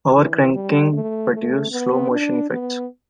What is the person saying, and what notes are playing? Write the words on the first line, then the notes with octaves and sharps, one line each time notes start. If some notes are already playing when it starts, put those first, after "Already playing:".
"Overcranking" produces slow motion effects.
E3
G3
A3
A3
B3
D4
B3